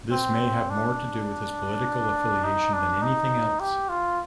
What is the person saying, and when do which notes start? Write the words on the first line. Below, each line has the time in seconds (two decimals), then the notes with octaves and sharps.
This may have more to do with his political affiliation than anything else.
0.12 C4
0.70 D4
2.44 D#4
2.73 D4
3.02 D#4
3.60 G4
3.89 F4